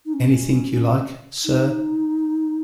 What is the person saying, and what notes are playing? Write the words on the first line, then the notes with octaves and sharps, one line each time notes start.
Anything you like, sir.
D#4
C#4
D#4